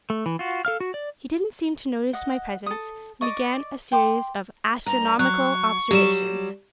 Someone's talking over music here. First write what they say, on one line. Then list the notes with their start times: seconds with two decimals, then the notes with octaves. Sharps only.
He didn't seem to notice my presence and began a series of astronomical observations.
0.10 A3
0.26 E3
0.39 F4 F#4
0.65 A4 F5 F6
0.80 F#4
0.94 D5
2.13 D#5 F#5
2.66 A4 D#6
3.21 D5 D#5 C#6
3.92 G5 C6 D6
4.86 G2 A#5
5.19 F#3 C#6 F#6
5.91 F#3 G3 G4 E7